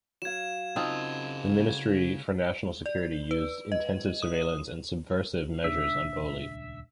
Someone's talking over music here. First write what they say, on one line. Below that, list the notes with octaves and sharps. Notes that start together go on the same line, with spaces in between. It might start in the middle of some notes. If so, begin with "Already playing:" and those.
The Ministry for National Security used intensive surveillance and subversive measures on Bohley.
F#3 F5 G#6 E7
C#3 C4 D#4 F4 A5
D5
B4
D#5
D#6
D#1 C#2 D4 E5